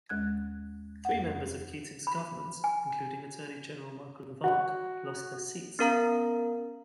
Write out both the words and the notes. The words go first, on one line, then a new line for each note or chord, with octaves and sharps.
Three members of Keating's government-including Attorney-General Michael Lavarch -lost their seats.
D#2 G#3 F#6 G#6
F2 F#5
B5
G#5
F#4
B3 C#4 A#4 F5 A#5